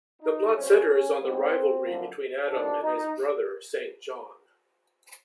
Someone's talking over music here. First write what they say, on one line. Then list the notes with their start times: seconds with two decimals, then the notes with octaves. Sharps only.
The plot centres on the rivalry between Adam and his brother Saint John.
0.22 D#4
0.55 A#2 G3 C4 C#4
0.88 C#4
1.20 G#2 E3 G#3 B3 C4
1.85 F#2 D3 F3 A#3
2.50 D2 C3 D#3 D4
2.82 D#4